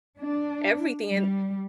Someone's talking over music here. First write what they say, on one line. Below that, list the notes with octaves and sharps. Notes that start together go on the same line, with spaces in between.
everything, and
D4
G3